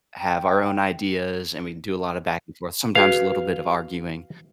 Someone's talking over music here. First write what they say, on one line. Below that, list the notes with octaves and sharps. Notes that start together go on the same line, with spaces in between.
have our own ideas and we do a lot of back and forth, sometimes a little bit of arguing,
G5
F#4 G#4 B4 F5